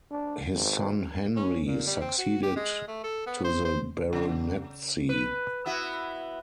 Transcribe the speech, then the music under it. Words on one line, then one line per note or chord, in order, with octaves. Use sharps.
His son Henry succeeded to the baronetcy.
D4
G#1
C#4
A#2
G3
C4
F#4
G4
G#3
A3
A4
B3
C5
C5
C#3
B4
B3 E4 F#4